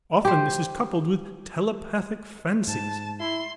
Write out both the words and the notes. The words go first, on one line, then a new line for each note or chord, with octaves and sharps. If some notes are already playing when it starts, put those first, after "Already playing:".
Often this is coupled with telepathic fancies.
G4 C5
G#2 A5
E4 C6